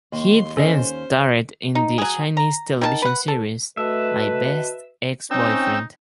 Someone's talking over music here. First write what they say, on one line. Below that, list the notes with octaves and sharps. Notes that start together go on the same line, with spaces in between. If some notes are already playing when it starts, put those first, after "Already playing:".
He then starred in the Chinese television series "My Best Ex-Boyfriend".
D#2 C6
C#4 A4 C5 D#5
D#4
F#3 G#4
A#5
D#3 E4 A5
B4 F#5
A4
A3 F#4 B4 D#5 E5 A5
C4 C#4 D#4 G5 E6